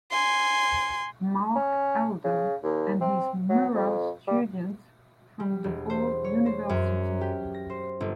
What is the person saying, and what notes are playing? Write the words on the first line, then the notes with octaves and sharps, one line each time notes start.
Mark Elder and his mural students from DePaul University.
G#5 C6
C#4
C#3
D#2
C4
F#3
F2
G3
G3
E1
C5
C#5
C5
F#2
G4
A#6
C5
G1